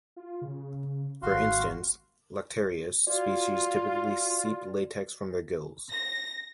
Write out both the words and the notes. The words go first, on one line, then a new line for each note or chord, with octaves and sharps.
For instance, "Lactarius" species typically seep latex from their gills.
F4
C#3
G#1 F#4 F5 C6
F4 F#4 D5
A#6